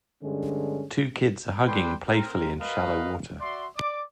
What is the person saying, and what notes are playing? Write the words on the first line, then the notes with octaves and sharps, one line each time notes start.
Two kids are hugging playfully in shallow water.
G2 D3 G#3 C#4
D4 A4 B4 G5 B5 C6
C4 A#4
F#4 A#4 B4 D#5 F5
F#4 D5 E5 C6
D5 D6